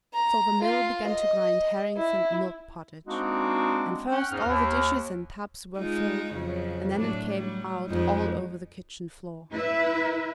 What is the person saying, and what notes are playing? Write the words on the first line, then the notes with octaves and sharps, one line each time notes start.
So the mill began to grind herrings and milk pottage, and first all the dishes and tubs were filled, and then it came out all over the kitchen-floor.
A#5
F4
D#5
E4
G#3 A#3 C4 D4 D#4 F#4
C#4 F#5 G5
E2 G#2 D#4 F#5 F6
D#2
G#3 D#4 F4
F2 C#3 F#3
A2 F#3 D4
F#3 G3
F2 G#3 D#4
E4 B4 E5